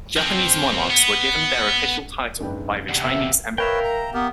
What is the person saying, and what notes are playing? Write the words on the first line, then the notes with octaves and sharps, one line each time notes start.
Japanese monarchs were given their official title by the Chinese emperor.
F3 C4
B3
F#1 G#2 D4 B4 G5
E2 C3 G4 D5 F#5
B2 A#3 C4 E5
A#4 B4 C#5 E5 F5 G5
A#5
B3 G4 A#4